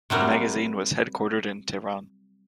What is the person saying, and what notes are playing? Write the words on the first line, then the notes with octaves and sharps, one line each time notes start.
The magazine was headquartered in Tehran.
C3 F#3 G3 A#4